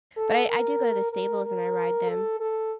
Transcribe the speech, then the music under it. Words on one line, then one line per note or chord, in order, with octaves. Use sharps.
But I I do go to the stables and I ride them
A4
A#4
A#4
A#4
A4
A4